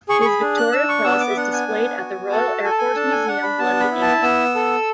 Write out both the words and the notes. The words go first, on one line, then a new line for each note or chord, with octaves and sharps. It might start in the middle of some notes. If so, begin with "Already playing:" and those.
His Victoria Cross is displayed at the Royal Air Force Museum London, England.
G#4 C#6
C#6
B5
D4
F#6
D4 E6
C#6
B3 E6
D6
E5
D4 F#5
G#5
B3
F#4
A4 A5
A4 G#5
A5
G#5
D4 A5
G#5
D4 F#5
B5
B3 A5
B5
E4
A5
B3 E6
A4